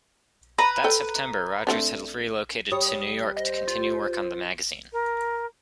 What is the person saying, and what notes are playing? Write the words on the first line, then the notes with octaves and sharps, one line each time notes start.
That September, Rogers had relocated to New York to continue work on the magazine.
B4 A#5 B5
A4 C5 G5
A3 C4 D4
G3 C#5 D#6
C5 D#5
F4
A#4